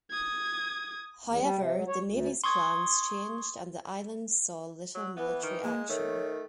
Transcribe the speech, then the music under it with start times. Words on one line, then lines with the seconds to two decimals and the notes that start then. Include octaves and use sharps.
However, the Navy's plans changed and the island saw little military action.
0.11 D#6 G#6
1.24 E2
1.39 G3
1.57 C3
1.72 F#3
1.87 C#5
2.05 D2
2.44 C6 C#6 D#6 G#6
4.95 F#3
5.17 E3 B3
5.43 D#3
5.64 G#3 A#3
5.89 D#3 A3 C#5